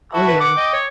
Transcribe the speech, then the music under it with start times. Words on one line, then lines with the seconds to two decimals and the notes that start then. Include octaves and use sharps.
Oh, yeah.
0.14 E4 F#4 A4
0.28 B4
0.41 F#5 D6
0.57 D#5 G5
0.73 C#5